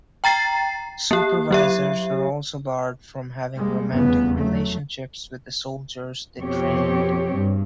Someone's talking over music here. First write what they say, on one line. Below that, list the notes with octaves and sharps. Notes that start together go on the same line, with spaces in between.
Supervisors were also barred from having romantic relationships with the soldiers they trained.
G5 A#5 A6 C7
A#3 G4
F#3 G4 E5
G3 G#3 A#3
F1 E2 C#3 G3 B3
F#3 A3
F2 B2 C4 G4 C#5
G2